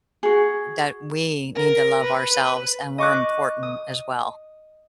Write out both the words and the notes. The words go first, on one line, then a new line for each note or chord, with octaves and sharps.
that we need to love ourselves and we're important as well.
F#4 G#4
A#4
B4
B4
D#5 C#6 D6 F#6
D#6